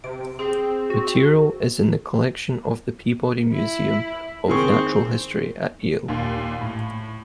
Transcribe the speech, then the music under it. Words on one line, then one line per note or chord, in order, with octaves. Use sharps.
Material is in the collection of the Peabody Museum of Natural History at Yale.
C3 D7
C4 G#4
F#4
E4
D#3 C4 G#4 C#6
D#2 A#2
A2